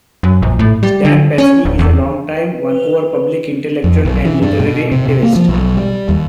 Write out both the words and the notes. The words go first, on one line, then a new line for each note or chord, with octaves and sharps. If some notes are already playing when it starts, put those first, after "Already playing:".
Stan Persky is a long-time Vancouver public intellectual and literary activist.
F#2
A#1
A2
G3
D3
C#4
D1
E2
B4
F2
B1
E3
G2
B2
C3
C3
A#3
F3
B1
G3
D#2